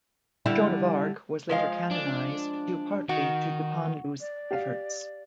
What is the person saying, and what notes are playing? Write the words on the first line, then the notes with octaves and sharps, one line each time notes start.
Joan of Arc was later canonized, due partly to Dupanloup's efforts.
D3 G3 E4
F3 G#3 F5
D4
D#3 F#4
D5
G4 F5